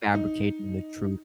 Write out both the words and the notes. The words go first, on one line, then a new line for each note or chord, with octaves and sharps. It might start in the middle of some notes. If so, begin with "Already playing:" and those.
fabricating the truth
D#4